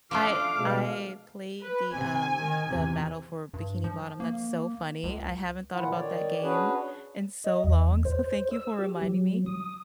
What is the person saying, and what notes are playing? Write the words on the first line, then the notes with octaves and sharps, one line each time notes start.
I I played the, um the Battle for Bikini Bottom, that's so funny, I haven't thought about that game in so long, so thank you for reminding me.
F3 A3 D4 F5 D6
B2 G#3
B4
C3 G#5
D#3
E2 C3
G2
F3
A#3
C#2
A#2 D3 E3 E4 F4 F#5
D#3 C#5 D5
C#4 D4 F#4 G#4 B4 C#5
D#5
E2
C5
E6
G4
F#3
D#6